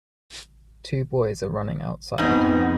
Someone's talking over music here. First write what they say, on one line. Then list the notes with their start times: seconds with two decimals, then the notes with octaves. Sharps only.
Two boys are running outside.
2.18 F2 G#2 B3 C4 D#4